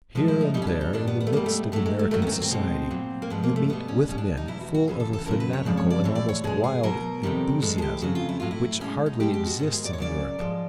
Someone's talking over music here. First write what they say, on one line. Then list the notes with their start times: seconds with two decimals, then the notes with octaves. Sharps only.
Here and there, in the midst of American society, you meet with men, full of a fanatical and almost wild enthusiasm, which hardly exists in Europe.
0.15 A2 F3 G#3
0.28 E4
0.41 D#4
0.54 B2 G3 D#4
0.62 C#4
0.67 D4
0.81 D#4
0.93 G2 D#3 G3 D4
1.07 B3
1.21 B3
1.27 A3
1.33 B2 G3 A#3
1.46 A3
1.72 A2 F#3 A3
1.86 G#3
1.99 A3
2.11 G2 D#3 F#3 A3
2.22 B3
2.27 C#4
2.31 C4
2.42 C4
2.51 B2 G#3
2.91 A#2 F#3
3.22 A#3
3.30 G#2 F3 G#3 B3
3.43 A#3
3.56 A3
3.68 B2 G3 B3
3.88 C#4
4.08 B2 G3 C#4
4.18 D4
4.37 D#4
4.48 E2 B2 F#3 E4
4.61 F#4
4.74 F#4
4.88 F#2 C#3 E3 G#4
5.00 A4
5.13 A4
5.26 F#2 C#3 F#3 A#4
5.40 B4
5.53 C#5
5.65 F2 C#3 F3 G#3 D5
5.77 C#5
5.90 D5
6.04 A2 E3 G#3 C#5
6.15 D5
6.29 C#5
6.44 B2 G#3 G#4
6.64 G#4
6.83 B2 F#3 A#4
7.23 F2 C3 D#3 G3
7.62 A2 E3 G#3 A4
7.78 G#4
7.82 G4
8.01 F2 C#3 F#3 F#4
8.15 F4
8.29 E4
8.40 A2 F#3 F4
8.51 E4
8.80 B2 G#3 C#4
9.06 D#4
9.20 B2 G#3 G4
9.34 G4
9.46 F#4
9.59 G#2 D#3 G#3 F#4
9.73 G#4
9.85 D5
9.93 C#5
9.98 F#2 C#3 F#3 D5
10.38 G#2 F3 G#3